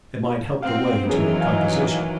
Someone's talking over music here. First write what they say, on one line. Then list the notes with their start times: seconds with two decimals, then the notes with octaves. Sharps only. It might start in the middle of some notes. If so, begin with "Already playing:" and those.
"It might help the way to a composition."
0.63 C4 F5 F#5
1.07 D#3 E3 F#3 B3 C#4 G#4
1.39 D#5 F5 G#5